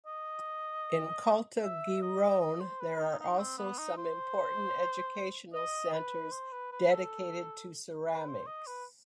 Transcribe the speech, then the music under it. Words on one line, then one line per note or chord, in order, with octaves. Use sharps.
In Caltagirone there are also some important educational centers dedicated to ceramics.
D#5
E5
D#5
D#5
C5
B4
D#4
D#4
C4
B3
D#4
C5
D#5
B4
C5
B4
B4
A4
B4
C5
D#5
B4